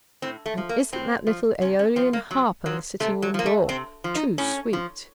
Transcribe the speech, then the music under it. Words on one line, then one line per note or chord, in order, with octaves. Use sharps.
"And isn't that little Aeolian harp on the sitting room door too sweet!"
A2 C4
A3
F3
A#3
A2 C4
F3
C3 C#4
C#4
F3 C4
A#3
C3 F#3
F3 F#3
C3 A3
F#3
F3 A#3
A3
C3 C4
F3
D#4
A2 C#4
F3